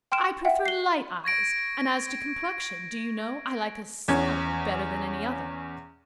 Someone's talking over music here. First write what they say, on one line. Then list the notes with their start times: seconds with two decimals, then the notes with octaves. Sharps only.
I prefer light eyes; and as to complexion, do you know, I like a sallow better than any other.
0.12 G5 C6 F6 D7 E7
0.45 E5 F#5 G5
0.66 C7 G7
1.24 C#6 G#6 A#6 D7
4.08 E2 C#4 G#6